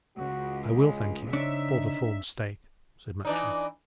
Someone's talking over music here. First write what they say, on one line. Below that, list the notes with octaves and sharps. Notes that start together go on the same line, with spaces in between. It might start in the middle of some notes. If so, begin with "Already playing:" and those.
"I will thank you, for the form's sake," said Matcham.
C#2 F#4
G#3
C#3 C4 D4 D#4 C#5 E5
E3 D4 D#4